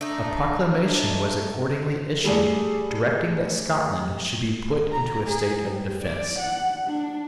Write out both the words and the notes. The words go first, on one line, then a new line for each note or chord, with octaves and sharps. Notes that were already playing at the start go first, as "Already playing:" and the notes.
A proclamation was accordingly issued directing that Scotland should be put into a state of defence.
A3 D4 D#4
G3 A3 G#4 D5
A#5
G#4
G3
D5
F#5
D4